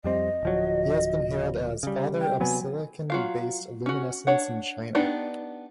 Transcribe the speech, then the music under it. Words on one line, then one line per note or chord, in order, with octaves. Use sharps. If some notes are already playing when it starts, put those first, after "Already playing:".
He has been hailed as "Father of silicon based luminescence in China".
F2 G3 C4 D#5
D1 F3 F#3
C#3 G3
G5
C3 F#3 B3 G#5
F#3 F4 F5
C#4 F#4
D4 C#5 F#5
B3 D4 D#4 G4 B4